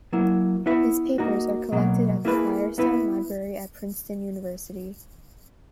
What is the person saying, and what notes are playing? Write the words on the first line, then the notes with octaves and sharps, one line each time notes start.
His papers are collected at the Firestone Library at Princeton University.
F#3 A#3 E4
B3 E4 B4 E5
A#3 D#4 F#4
B2 F#3 A#3
A#3 E4 G#4 B4
B3 E4 B4